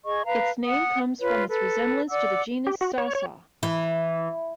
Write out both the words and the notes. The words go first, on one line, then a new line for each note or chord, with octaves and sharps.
Its name comes from its resemblance to the genus "Sasa".
G#4 D#5 C#6
B4 F5 A#5
F#5 D#6
F4 B4 C#5
A4 B4
D5 F#5 D6 E6
G4
F#4
C#5
C#5
E3